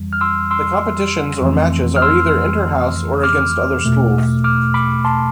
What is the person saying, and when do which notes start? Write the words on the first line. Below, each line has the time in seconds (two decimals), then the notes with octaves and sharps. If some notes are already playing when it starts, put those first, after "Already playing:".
The competitions or matches are either 'interhouse' or against other schools.
Already playing: F2 E3 G3
0.13 F6
0.21 C6 E6
0.51 C6 E6
1.42 F2 E3 A3
1.96 F6
2.02 C6 E6
3.23 D6 F6
3.84 E2 B2 A3
4.44 D6 F6
4.74 B5 D6
5.05 A5 C6